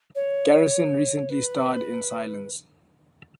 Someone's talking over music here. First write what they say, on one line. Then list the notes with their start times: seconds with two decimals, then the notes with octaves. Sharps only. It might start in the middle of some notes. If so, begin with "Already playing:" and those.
Garrison recently starred in Silence!
0.15 C#5
1.30 B4